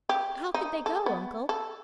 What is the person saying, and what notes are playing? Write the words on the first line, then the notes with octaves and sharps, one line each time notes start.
"How could they go, Uncle?"
G4
D#4
A4
B3
A4